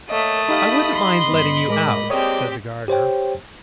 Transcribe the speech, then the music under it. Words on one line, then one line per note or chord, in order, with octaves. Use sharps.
"I wouldn't mind letting you out," said the Gardener.
A3 A#3 C#5 D#5 D#6
D#4 G4 D#5 F5 B5
C6
G2 B3
A2 G#3 A#4 D6
G#3 A#3 C4 G4 C#5 D5 D#6
G4 C5 C#5 G5